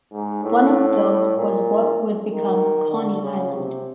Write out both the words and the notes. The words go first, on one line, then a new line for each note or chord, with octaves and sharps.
One of those was what would become "Coney Island".
G#2
A2
A#2
D#3
D3
C#3
C3